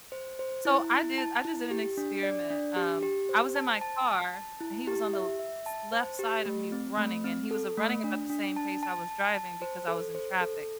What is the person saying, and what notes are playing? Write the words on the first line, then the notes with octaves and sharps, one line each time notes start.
so, I did I just did an experiment, um, I was in my car, and he was on the l s left side of me running, and he was, uh, running about the same pace I was driving because I was in traffic.
C5
C5
E4
E4
A5
E4
G4
D4
D5
D4
G4
G4
C5
A5
A5
A5
A5
E4
G4
E5
E5
A5
C5
G4
A3
C4
A3
C4
A4
A3
D4
D4
A5
A5
A5
A5
C5
A4
C5
A4